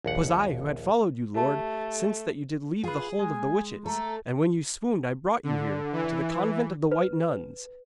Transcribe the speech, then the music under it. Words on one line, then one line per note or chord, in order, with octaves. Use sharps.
'Twas I who had followed you, lord, since that you did leave the hold of the witches, and when you swooned I brought you here, to the convent of the White Nuns.
A#1 D#2 F#5
A3 G4 A5
F4 G#4 B4
G#3 G#5
A3 A4 A#5
D3
E3
B4